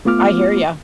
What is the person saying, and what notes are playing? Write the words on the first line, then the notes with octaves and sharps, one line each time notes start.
I hear ya.
A3 B3 F4 D6 F6